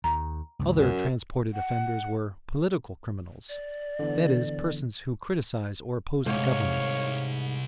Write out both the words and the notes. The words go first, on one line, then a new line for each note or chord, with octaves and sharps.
Other transported offenders were "political criminals"; that is, persons who criticized or opposed the government.
D#2 A#5
C#2 G2
F#2
F#5
D5
D3 E3 B3
C2 G#2 C#5 F5